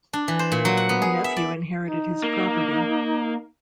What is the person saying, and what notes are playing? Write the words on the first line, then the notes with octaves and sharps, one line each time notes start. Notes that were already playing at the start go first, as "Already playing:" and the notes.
A nephew inherited his property.
D4
E3
C5
A#2
F#3
F#5
B3
G#4
E5
D5
D#4
A#3